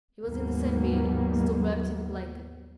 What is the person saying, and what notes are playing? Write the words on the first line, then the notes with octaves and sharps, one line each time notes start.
He was in the same bed, still wrapped in the blanket.
D#2 G#2 F#3 G3 A#3 B3